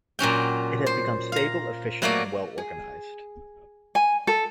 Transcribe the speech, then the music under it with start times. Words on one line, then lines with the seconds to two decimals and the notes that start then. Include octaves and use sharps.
It had become stable, efficient, and well organized.
0.19 A#2 F#3 C#4 G5
0.86 C5
1.32 F5 A#5
2.02 F#3 A3 A#3 C#5 D5
2.58 G#4
3.95 G#5
4.27 A4